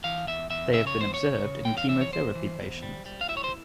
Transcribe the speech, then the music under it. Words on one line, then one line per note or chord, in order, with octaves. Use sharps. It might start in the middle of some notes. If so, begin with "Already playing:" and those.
They have been observed in chemotherapy patients.
E3 F5
E2 E5
E2 E5
C#3 E5
C#5
E2 C5
C#5
C#3
C#3
E2 G5
F5
E3 E5
C#5
E2 C5
E3
E2
G3
G3
F5
E4 E5
C#5
C5